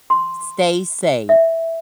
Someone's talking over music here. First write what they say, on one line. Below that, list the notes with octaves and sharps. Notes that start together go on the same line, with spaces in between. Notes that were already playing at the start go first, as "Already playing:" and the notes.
stay safe.
C6
E5